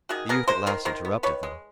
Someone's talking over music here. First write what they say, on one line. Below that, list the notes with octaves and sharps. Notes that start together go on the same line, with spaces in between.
The youth at last interrupted them.
D#3 F#4 G#4
B3 G#4 A#4
G#3 A#4 C5
D#3 A#4 C5
D#3 A#4 C5
B3
D#3 B4 C#5
G#3